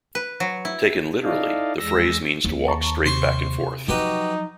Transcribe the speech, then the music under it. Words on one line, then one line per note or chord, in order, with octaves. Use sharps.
Taken literally, the phrase means to walk straight back and forth.
B4
F#3
E4
D#4 E4 A4 D5 D#5 F5
E2 G#3 E6 A#6
D#2
A5 A#5 C#6
C3 C5 C6 C#6
F3 F#3 D#4 F#4 G4 B4